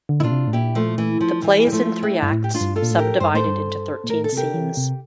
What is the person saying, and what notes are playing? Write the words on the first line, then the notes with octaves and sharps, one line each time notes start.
The play is in three acts, sub-divided into thirteen scenes.
D3
E4
A#2 D4 F4
C3
A2
A#2 E4 G4
F3 A3
E3
F3
E3 G3
G3
F3 A3
C4 E4
G2
A2
G4
D4 F4
G2
F4 A4
A#2
A2
G4 A#4
G2 C5
A2 A4 C5
G2
A#2
A2 A#4
A4
C3 G4 A#4
E3
C3